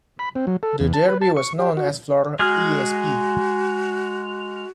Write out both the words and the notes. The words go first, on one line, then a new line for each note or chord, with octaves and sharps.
The derby was known as Flor-Esp.
B5
C4
F#3
A4
E2
A5
B4
A5
C#6
G4
F#4
G#3 F#4 G#4 F6